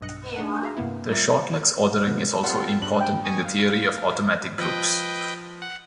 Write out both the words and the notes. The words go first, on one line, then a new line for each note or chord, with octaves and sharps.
The shortlex ordering is also important in the theory of automatic groups.
B1 G2 D#5 F#6 C#7
A3 D4 D#4 F#5
F#4 G#4 E5 F5 A#5
G2 C3 A#3 B3 E4
G3 A3 F4 A#4 D5 E5
B2 D3 F3 F#3 B3
G3 C4 F4 A4 F#5 C6
G2 F#6 F#7
G5
G#5 C#6 D#6
F5
F3 B4 D#5 G5
F#5